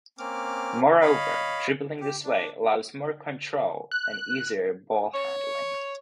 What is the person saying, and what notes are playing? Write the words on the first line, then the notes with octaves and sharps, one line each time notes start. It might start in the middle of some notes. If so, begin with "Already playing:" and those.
Moreover, dribbling this way allows more control and easier ball-handling.
A#3 C4 C#4 D6 F6
C#5 D#5 F5 B5
G4
D4
F#6
C#5